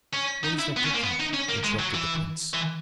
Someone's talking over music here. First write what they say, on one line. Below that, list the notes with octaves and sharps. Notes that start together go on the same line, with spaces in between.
"What is that document?" interrupted the prince.
C#4
D#4
E4
B3
C#4
A#3
B3
D#4
C#4
A#3
G#3
F#3
E3
E3